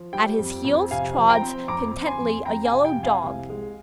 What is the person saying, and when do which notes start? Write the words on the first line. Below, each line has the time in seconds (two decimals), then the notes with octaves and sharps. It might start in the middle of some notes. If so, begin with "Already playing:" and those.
At his heels trots contentedly a yellow dog.
Already playing: F3
0.13 G3 G5
0.39 F2
0.65 F2
0.91 C3 F5 G#5
1.16 F3
1.30 G5 A#5
1.42 C4
1.68 F2 A#5 D6
1.94 F2
2.06 G#5 C6
2.19 F2
2.45 F2 G5 A#5
2.65 F5 G#5
2.72 C3
2.85 G5
2.97 F2
3.03 F5 G#5
3.24 C2
3.50 G#3